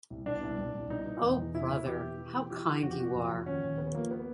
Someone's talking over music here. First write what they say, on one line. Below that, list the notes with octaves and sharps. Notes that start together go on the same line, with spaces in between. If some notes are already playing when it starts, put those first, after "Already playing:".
Oh, brother, how kind you are!
C2
B2 D4
C2
C2
C2
B2 D#4
B2
E2
E2
B2 E4
B2
E2 G4
B2
E3
E3
E3 G4
E3
F2 F#4
G4
C3 F#4
F2
F2
D#2 C#4
D#2
D#2 B3
F3 A#3
B3